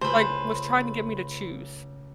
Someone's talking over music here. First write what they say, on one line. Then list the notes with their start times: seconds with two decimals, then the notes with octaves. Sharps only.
like was trying to get me to choose.
0.01 C#2 A3 G#4 B4 C5